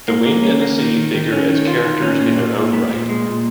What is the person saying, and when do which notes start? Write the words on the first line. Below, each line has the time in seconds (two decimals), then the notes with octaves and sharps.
The wind and the sea figure as characters in their own right.
0.08 A#3
0.26 A#3
0.43 C#4
0.61 A#3
0.79 D#3
0.97 D#3
1.14 D#3
1.32 C#4
1.49 D#3
1.67 F4
1.85 D#3
2.02 C#4
2.20 A#2
2.39 A#2
2.55 A#2
2.73 B3
2.91 A#2
3.09 G#3
3.26 A#2